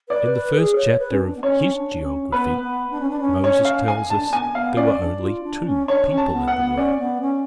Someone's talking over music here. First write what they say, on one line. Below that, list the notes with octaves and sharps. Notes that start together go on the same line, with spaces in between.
In the first chapter of his geography, Moses tells us there were only two people in the world.
B4 D5
B4
G#4
C#5
B4
C#4
D4
B3
C#4 C#5
D4
C#4
B3 B4
B3
D4
C#4
D4
C#4
C#5
F5
G#5
D4 A5
B3 G#5
B3 F5
C#4 D5
D4
F4
D4
C#4
D4 C#5
C#4
A5
C#4
B3
F#5
B3
C#4 D5
B3
C#4